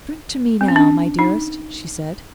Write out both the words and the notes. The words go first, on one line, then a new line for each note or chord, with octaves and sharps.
'Drink to me now, my dearest,' she said.
C4
C#4
D4
D#4